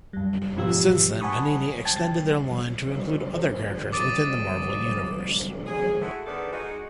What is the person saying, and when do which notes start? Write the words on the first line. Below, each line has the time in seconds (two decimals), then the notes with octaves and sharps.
Since then Panini extended their line to include other characters within the Marvel Universe.
0.13 F#2 G3
0.56 G#2 B2 F3 F4 G4 E6
1.21 F#5 G#5 A5 B5 C#6 D#6
1.85 G5 A5 G#6 A6
3.93 D6 D#6 A6 D7 D#7
5.66 G#4
6.01 G#3 A3 E4 F#4
6.26 G#2 D3 D#3 B3 A4 D5
6.52 G#3 D#4 F#4